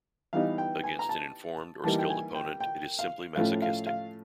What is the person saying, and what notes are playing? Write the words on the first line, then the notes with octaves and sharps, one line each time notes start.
Against an informed or skilled opponent, it is simply masochistic.
E3 G3 B3 D#4 F5
G5
G#5
A#5
A5
E3 G3 A#3 D#4 A5
G5
G#5
G5
G5
F5
A2 F3 A3 C#4 F5
F5
F5